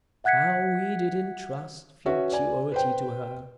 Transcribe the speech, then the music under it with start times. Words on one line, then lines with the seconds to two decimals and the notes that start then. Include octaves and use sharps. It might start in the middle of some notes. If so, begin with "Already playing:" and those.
How we did entrust Futurity to her!
0.24 E5 F#5 F#6 G#6 B6 C#7
2.06 C#4 F#4 B4 E5
2.32 D5 G#5
2.72 B4 C5 G5